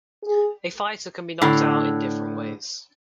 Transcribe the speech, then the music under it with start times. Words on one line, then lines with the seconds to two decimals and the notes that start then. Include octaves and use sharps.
A fighter can be knocked out in different ways.
0.23 G#4
1.42 A2 D3